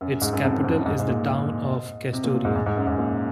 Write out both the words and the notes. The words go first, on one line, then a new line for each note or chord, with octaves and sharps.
Its capital is the town of Kastoria.
F#2
F#2
G#2
F#2
F2
F#2
F2
F#2
G#2
G#2
A#2
C3
A#2
A#2
G#2
G#2
G#2
F#2
G#2
A#2